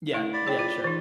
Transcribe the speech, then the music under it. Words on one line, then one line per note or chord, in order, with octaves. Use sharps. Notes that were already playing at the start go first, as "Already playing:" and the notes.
Yeah, yeah, sure.
A3 E4 F#5
D5 B5
G#4 C#5 G5
F4
E3 D#4